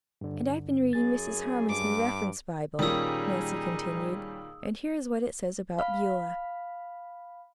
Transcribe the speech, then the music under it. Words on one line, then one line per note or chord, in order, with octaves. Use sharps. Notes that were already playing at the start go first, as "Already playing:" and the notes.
"And I've been reading Mrs. Harmon's new reference Bible," Nancy continued, "and here is what it says about Beulah."
G2 D3
F#2 G#4 A6
G2 D6
A#2 D#3 G3 C#4 D#4 G#4 D#6 E6
F5 B5